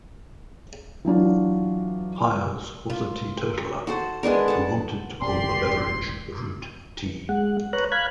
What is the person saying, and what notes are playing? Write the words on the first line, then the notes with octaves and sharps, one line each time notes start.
Hires was a teetotaler who wanted to call the beverage "root tea".
E3 F#3 D4 F4
F4
F#4 A4 C5
G#3 B3 D4 A#4
A4 F#5
E1 A1 C4 G4 D5 C6
G#3 F#5
B4 C#5 A#5 F#6
F5 B5 F#6 G#6